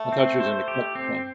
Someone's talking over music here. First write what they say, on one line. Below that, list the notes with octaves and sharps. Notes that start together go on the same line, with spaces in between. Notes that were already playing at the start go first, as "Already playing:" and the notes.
I thought she was gonna cut her palm.
Already playing: A3
C4
C5
G4
C4